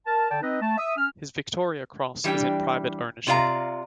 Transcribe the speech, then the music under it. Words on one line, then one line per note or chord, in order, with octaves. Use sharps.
His Victoria Cross is in private ownership.
A#4 A5
D3 D5 G5 A5
C4 D#4 B4 D#5
A3 A5
E5 D#6
C#4 F6
E3 G3 D4 G5
C3 F4 D5 F5 A#5